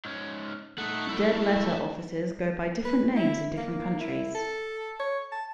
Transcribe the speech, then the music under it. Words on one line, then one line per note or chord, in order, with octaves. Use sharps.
Dead letter offices go by different names in different countries.
G#2 C#4
A3 D#4 F#5
F#3 E4
B4
E4
A#3
E4
A4
C#5
A5